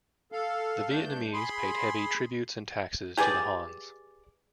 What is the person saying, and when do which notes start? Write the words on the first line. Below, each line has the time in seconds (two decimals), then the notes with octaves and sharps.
The Vietnamese paid heavy tributes and taxes to the Hans.
0.32 A4 F5
0.89 G2 A3 D4 G6
1.33 G#4 B5 C6
3.17 G4 G#4 B4 D5